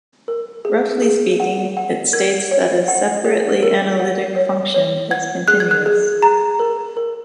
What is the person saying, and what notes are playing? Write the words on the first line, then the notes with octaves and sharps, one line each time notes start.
Roughly speaking, it states that a 'separately analytic' function is continuous.
A#4
G#4
G#4
F#5
F#5
A#4 G#6
C#5
F#5
G#4
A#4
F#5
C#5
C#5
F#5 G#6
G#4 F#6
G#6
F#6
G#4
G#4 A#5
A#4
A#4